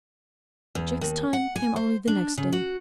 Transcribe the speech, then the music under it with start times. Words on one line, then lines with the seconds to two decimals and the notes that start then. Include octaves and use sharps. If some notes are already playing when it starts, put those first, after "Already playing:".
Jack's time came only the next day.
0.75 E2
1.01 D#2
1.33 F#5
1.56 G#5
1.76 C5
2.08 D4
2.37 C#3
2.52 F#4